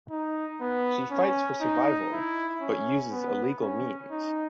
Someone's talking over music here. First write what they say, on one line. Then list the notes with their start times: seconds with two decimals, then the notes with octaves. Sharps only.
She fights for survival but uses illegal means.
0.11 D#4
0.61 B3
1.11 C#4
1.61 D#4
2.12 E4
2.61 C#4
3.11 B3
3.61 C#4
4.11 D#4